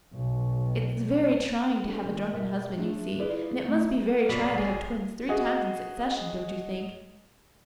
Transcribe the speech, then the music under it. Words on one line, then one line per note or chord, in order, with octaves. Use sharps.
It's very trying to have a drunken husband, you see; and it must be very trying to have twins three times in succession, don't you think?
B1
B3 C#4 G4 A4
D#3 G#3 A#3
F#2 B2 A#4 D#5 E5
A3 D4 F4 F#4 G#4
E4 F4 G#4 B4 D5
F#3 A3 D#4
B1 A#2 F#3 D5 B5 C7
G1 G#4
F#4 G#4 D#5